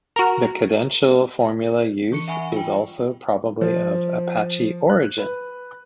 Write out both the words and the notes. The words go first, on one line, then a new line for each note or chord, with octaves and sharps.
The cadential formula use is also probably of Apache origin.
F#4 A#4
E3 C#6 C#7
E5 F#5 G#5 B5 C#6
F4 G5
F3
F#6
B4